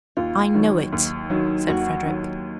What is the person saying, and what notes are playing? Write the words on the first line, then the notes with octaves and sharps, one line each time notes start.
"I know it," said Frederick.
D#2 F4
D#3 F#3
D#2
D#3 F#3
D#2 F#4
D#3 F#3